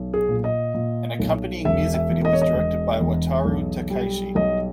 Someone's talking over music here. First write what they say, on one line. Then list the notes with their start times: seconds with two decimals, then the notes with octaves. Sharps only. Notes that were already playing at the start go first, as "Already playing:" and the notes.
An accompanying music video was directed by Wataru Takeishi.
Already playing: B1
0.14 G#4
0.29 A#2
0.44 D#5
0.74 A#2
1.19 B1
1.65 E1 E5
1.94 E5
2.10 E2
2.25 D#5
2.33 C#5
2.41 D#5
2.55 E1
3.01 E2
3.45 B1
3.90 G3
4.35 B1 D#5